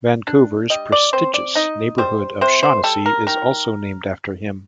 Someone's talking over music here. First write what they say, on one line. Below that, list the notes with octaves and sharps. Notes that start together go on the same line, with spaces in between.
Vancouver's prestigious neighbourhood of Shaughnessy is also named after him.
D4
G3 D#5
D5
C4 C5
D5
D#4 D#5
G3 C5
C3 C5
C5
G3 A4
A#4
D#3 A#4